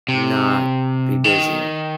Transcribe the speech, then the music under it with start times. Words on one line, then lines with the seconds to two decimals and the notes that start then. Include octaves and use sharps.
not be busy,
0.08 C3
1.24 D#3